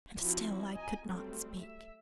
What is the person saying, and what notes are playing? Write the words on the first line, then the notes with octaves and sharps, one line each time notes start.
And still I could not speak.
F3 C4 E4 F#4
D#5 G#5 A#5
F#3 G3 A3 C4
E5